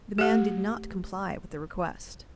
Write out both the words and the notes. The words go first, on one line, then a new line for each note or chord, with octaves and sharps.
The man did not comply with the request.
A3 G4